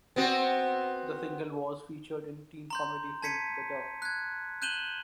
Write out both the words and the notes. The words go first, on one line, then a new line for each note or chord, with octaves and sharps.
The single was featured in teen comedy film The Duff.
B3 C4 F#4
A#5 C6 G6
A5 G#6 B6 C#7 D#7
F#6 G#6
F#6 G6 D#7 E7 F#7 G7